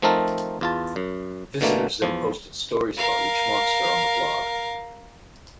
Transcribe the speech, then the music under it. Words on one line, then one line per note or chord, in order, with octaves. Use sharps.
Visitors then posted stories about each monster on the blog.
F3 A3 C4 D#4 A4 A#4
E2 F4 A5
F#2
B2 D3 E3 A3 A#3
E2 F3
A#4 F5